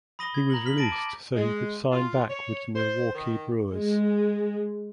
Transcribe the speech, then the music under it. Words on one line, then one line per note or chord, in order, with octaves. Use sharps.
He was released so he could sign back with the Milwaukee Brewers.
B5 D#6 A#6 D#7 G7
G#6
A#5 A#6 F#7
F6 B6 F#7
A5 A6 A#6 D7
D6
G#3
F4
C#5
C5
D#3
G#3